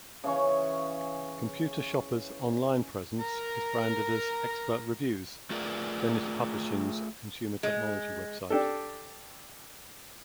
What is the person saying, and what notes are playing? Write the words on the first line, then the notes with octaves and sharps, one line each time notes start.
"Computer Shopper"'s online presence is branded as Expert Reviews, Dennis Publishing's consumer technology website.
C#3 E3 C#4 C#6
A#4 A#5
A3 F4 G#4 A#4 B4 D5
G#3
D4 G4 A4